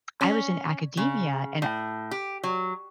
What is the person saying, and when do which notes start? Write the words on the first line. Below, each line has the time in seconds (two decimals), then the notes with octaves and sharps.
I was in academia, and
0.21 C#4
0.97 C#3
1.62 A2
2.11 G4
2.43 F#3